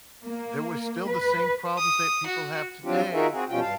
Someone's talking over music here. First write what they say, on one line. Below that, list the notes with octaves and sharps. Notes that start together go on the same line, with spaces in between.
there were still the same problems that people have today,
A#3
B4
D#6
F#4
F3 F#3 C4 D4 F4 G4
D#4 F4 F#4 G#4 A#4 E5
C4 F#4 G#4
F2 B2 G3 C#4 F4 G5
G2 F5 A5